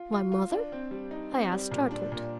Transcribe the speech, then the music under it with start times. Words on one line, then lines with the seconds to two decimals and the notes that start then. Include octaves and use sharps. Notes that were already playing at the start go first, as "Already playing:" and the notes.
"My mother?" I asked, startled.
Already playing: F4
0.12 F4
0.32 F4
0.51 D4
0.72 C4
0.91 G3
1.11 D#4
1.32 C4
1.52 G3
1.71 A#2
1.91 D4
2.12 A#2